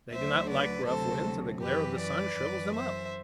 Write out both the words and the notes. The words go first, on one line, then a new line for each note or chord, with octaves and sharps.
They do not like rough winds, and the glare of the sun shrivels them up.
D2 D3 F#3 C5 E5
B4 D5
D2 C3 F#3 A4 C5
F#2 E3 G4 B4
B4 D5
F#2 E3
C5 E5